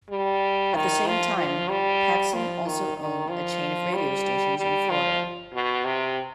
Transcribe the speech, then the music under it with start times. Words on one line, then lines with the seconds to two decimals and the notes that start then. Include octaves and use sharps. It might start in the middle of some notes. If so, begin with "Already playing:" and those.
At the time, Paxson also owned a chain of radio stations in Florida.
0.10 G3
0.75 D#3
1.07 F3
1.38 F3
1.70 G3
2.34 F3
2.66 D#3
2.98 D#3
3.30 F3
3.94 G3
4.57 G3
4.90 F3
5.54 B2
5.85 C3